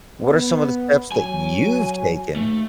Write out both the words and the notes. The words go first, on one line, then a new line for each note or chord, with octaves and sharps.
What are some of the steps that you've taken?
B3
F#3 G#5
D#2 A3